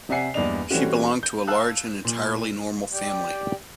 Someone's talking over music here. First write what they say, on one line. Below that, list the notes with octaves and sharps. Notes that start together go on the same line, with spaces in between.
She belonged to a large and entirely normal family.
C3 D5 E5 F#5 G#5 C7
E2 G2 A#3 D4 D#5 F7
E3 G3 A3 C4 C#4 F#4
G6
F5 A5 E6 F#6
A#2
G4 D5 G5